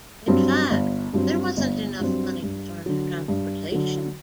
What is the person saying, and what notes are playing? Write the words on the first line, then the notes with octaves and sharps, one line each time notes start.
In fact, there wasn't enough money to furnish transportation.
G2 F#3 C4
G1
G2 F#3 C4
G1
G2 F#3 C4
G2
D3 F#3
G2
D3 F#3